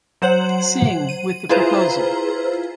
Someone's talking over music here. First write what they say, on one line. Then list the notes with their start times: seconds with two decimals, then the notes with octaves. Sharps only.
Singh with the proposal.
0.22 F#3 C5 F#5 F#7
1.09 D#7
1.49 E4 F4 G#4 B4 C5 A#5